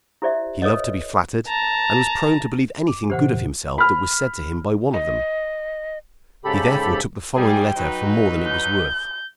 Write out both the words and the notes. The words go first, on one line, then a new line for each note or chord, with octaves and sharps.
He loved to be flattered, and was prone to believe anything good of himself that was said to him by one of them. He therefore took the following letter for more than it was worth.
E4 G4 C5 D5 E5
A4 B4 C#5 D#5
A5 A#5
D6
A#2 C#3 E3 G4 C5 F#5
B5 F6
D#5
G#2 C#3 G4 A4 B5
G3 G#4 G5
F#3 D#4 B4
G6